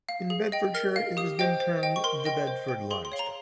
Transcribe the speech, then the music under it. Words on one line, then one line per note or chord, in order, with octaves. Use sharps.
In Bedfordshire it has been termed the Bedford limestone.
F5
G#4
D#5 G5
A#4 F6
F5
G4 D#6
C5 D#5 G5
C5
D#5 G5
C#6
A#4 C6
D#5 G5
C5
G5
G#4 C6
C6
C#5 F5
A#5